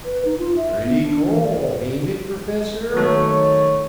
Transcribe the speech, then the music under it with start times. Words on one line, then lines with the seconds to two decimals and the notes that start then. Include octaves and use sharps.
"Pretty cold, hain't it, Professor?"
0.04 B4
0.25 D#4
0.38 F4
0.56 E5
0.83 B3
1.01 D4
1.30 E3
1.44 D5
2.93 D#3 F#3 A3 C#5